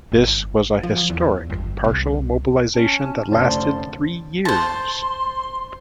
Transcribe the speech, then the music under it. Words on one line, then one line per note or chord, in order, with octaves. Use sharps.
This was a historic partial mobilization that lasted three years.
G1
F3
E2
G1
C2
C#4 G#5 A5
F1 D3 C#4 C5 D5 A5 C6
C5 A5 C6